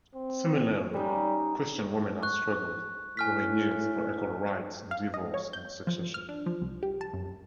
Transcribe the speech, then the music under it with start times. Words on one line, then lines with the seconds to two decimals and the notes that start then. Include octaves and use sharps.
Similarly, Christian women have struggled over years for equal rights in divorce and succession.
0.14 C4
0.93 G3 C#4 D#4
2.23 C#6 F#6
3.17 A2 G#5 F6 B6
4.91 F5
5.14 D#5
5.34 C#5
5.53 G6
5.87 F3
6.14 F6
6.29 D4
6.46 F3
6.62 C2
6.83 G4
7.01 A5
7.13 F#2